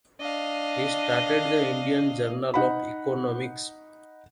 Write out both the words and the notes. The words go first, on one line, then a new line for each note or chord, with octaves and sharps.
He started the Indian Journal of Economics.
D4 D#5 F5
D#4 F#5 B5